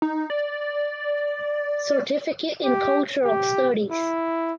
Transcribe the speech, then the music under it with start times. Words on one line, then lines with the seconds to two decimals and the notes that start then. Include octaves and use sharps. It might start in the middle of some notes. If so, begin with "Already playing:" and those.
Certificate in Cultural Studies.
0.02 D#4
0.30 D5
2.64 G4
3.24 G4
3.90 E4